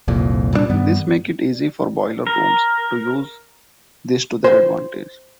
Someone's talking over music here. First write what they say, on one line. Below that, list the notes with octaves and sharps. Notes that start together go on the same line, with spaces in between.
This makes it easy for boiler rooms to use this to their advantage.
F1 C2 F2 A#2
A#2 G3 A3 D4
G2 D#3 G3 B3
A#4
C5